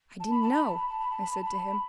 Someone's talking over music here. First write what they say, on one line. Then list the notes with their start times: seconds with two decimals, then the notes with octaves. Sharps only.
"I didn't know," I said to him.
0.20 A5
0.31 B5
0.42 A5
0.54 B5
0.66 A5
0.77 B5
0.89 A5
1.00 B5
1.11 A5
1.22 B5
1.34 A5
1.45 B5
1.57 A5
1.68 B5